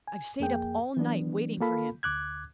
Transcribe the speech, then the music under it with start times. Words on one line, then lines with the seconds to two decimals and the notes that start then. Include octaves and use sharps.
I've sate up all night waiting for him.
0.08 G#5
0.40 F2 A#3 G#4 G5
0.97 E3 F#3 B3 D4
1.61 A#3 F4 A4 F5 B5
2.03 D2 D6 F#6 G#6